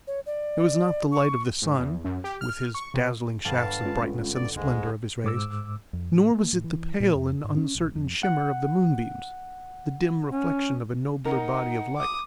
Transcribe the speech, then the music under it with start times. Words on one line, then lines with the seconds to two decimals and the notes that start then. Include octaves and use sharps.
It was not the light of the sun, with his dazzling shafts of brightness and the splendour of his rays; nor was it the pale and uncertain shimmer of the moonbeams, the dim reflection of a nobler body of light.
0.07 C#5
0.26 D5
1.11 C#6
1.62 G#2
1.79 E2
2.05 F#2
2.24 G4
2.41 F6
2.75 C#6
2.94 C3
3.45 G1 G3 B4 F5 A5
3.85 G#3 C#4 F4
4.35 D5
4.56 C#2 G#2 G#3
5.24 G#2 D6 E6
5.93 F2
6.12 A2
6.31 A#3
6.52 A2
6.64 E3
7.00 A#2
7.15 F2
7.44 G#2
7.57 C#4
7.75 A#1
7.95 F2
8.23 F#5
10.31 C#4
11.25 D#4 A#4 F#5
11.97 D6 D#6